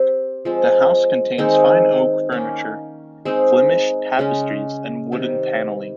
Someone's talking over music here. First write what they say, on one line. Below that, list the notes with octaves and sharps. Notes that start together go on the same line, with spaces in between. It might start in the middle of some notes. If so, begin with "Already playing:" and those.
The house contains fine oak furniture, Flemish tapestries and wooden panelling.
Already playing: C4 G4 C5
F3 G#3 C4
D#3 G#3 C4 D#4
D#3 A#3 C#4
G#3 C4 D#4 G#4
C#3 G#3 C#4
C3 D#3 G3